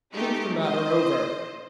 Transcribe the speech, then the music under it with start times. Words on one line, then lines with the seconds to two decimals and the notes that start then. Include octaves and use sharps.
Think the matter over!
0.12 G#3 A3 D#4 G4
0.61 C5 D#5